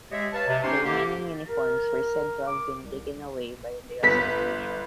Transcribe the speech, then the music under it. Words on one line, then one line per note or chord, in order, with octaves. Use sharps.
The remaining uniforms were said to have been taken away by the association.
G#3 G4 C#5 D#5 E5
B4 C#5 F5 A5
C3
C#4 D#4 G4 C5 G5 C6
D3 A#3 G4
A#4
D6
C2
G1 B4 B6